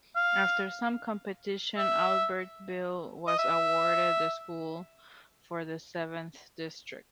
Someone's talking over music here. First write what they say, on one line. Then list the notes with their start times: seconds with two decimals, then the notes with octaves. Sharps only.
After some competition, Albertville was awarded the school for the Seventh District.
0.16 F5
1.78 E5
3.27 D#5
3.39 E5